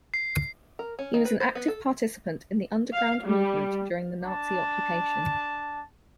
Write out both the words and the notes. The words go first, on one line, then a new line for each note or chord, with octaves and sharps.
He was an active participant in the Underground Movement during the Nazi occupation.
C7
A#4
C#4
D#3
B4
C5
B3
A4
F5
G3
D4 A5